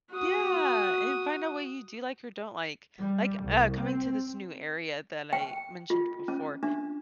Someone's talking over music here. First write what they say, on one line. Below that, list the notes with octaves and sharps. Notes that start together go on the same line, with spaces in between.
Yeah, and find out what you do like or don't like. Like, uh, coming to this new area that I mentioned before,
F#4 D#6
G3
C2
C4
G5
F4
C#4
D4